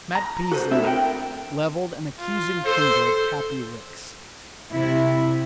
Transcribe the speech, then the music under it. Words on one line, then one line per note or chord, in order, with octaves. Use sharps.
Matt Peasley leveled an accusing finger at Cappy Ricks.
A#5
F#4 A4 B4 C5
A3 C4 D4 E4 E5
A4 A#4 D#5 F#5 G5
F4
A4 C5
C3 E4